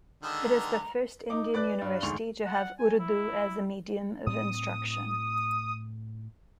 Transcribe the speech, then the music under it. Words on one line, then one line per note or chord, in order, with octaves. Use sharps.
It is the first Indian university to have Urdu as a medium of instruction.
D3 D#3 G#3 E6
A#5
D#4 D6
B4 D5 D6 F#6 A6
G2
E1 D2 G#2 C6 C#6 F7
F#5
G#5
E4
A2 C4 D#6